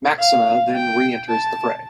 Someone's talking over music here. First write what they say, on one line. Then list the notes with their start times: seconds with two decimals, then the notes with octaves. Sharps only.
Maxima then reenters the fray.
0.19 F5
0.74 G5
1.29 A5